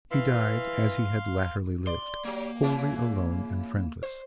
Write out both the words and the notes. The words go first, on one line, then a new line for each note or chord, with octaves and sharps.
He died as he had latterly lived--wholly alone and friendless.
E3 F5 C6
D5 C6
F#3 A#3 G4
C#3 E3 F4
C5